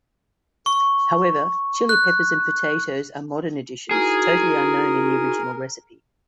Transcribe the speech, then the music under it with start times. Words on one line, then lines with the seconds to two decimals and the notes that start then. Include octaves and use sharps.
However, chili peppers and potatoes are modern additions, totally unknown in the original recipe.
0.66 C#6
1.89 F#6
3.91 D#4 E4 F#4 G#4 A#4